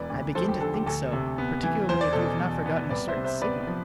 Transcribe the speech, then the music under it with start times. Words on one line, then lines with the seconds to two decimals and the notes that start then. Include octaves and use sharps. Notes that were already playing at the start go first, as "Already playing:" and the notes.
"I begin to think so, particularly if you have not forgotten a certain signal."
Already playing: E1 E3 B4 D5
0.10 D2
0.35 F3 A4 C5
0.48 G4
0.61 D3 A4
0.74 G4
0.86 D2 A4
1.13 C3
1.38 B3
1.63 E3
1.89 E2 C5
2.01 D5
2.13 B2 A4 C5
2.40 E2
2.66 B3
2.90 C2 B4 D5
3.08 C5 E5
3.17 C3
3.24 C5 E5
3.42 B3 B4 D5
3.67 F3